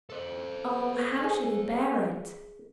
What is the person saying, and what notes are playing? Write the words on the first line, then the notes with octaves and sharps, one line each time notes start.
Oh! how should he bear it?
A4 C5
G#4